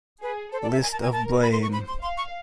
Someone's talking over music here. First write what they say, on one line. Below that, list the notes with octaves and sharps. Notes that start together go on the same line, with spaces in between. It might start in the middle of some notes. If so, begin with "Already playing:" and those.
List of Blame!
G#4 B4
A4 C5
D5
E5
A#4 G#5
A5
G#5
A5
B5
C6
C#6
C5 B5
C6
F5 C6
C#6